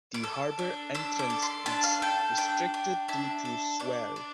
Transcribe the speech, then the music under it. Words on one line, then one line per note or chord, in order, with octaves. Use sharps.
The harbor entrance is restricted due to swell.
D6
A4 E6
D4
D4 E6
D6
A4
C6
D4 A5
F5
A4 G5
D4 G5
D4
D4 E5
A4
D4 D5
D4